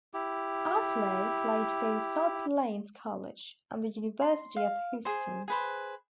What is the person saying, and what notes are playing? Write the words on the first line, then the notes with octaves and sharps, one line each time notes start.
Outlaw played for South Plains College and the University of Houston.
E4 G4
C6
F5
G#4 C5
G#4 B4 C5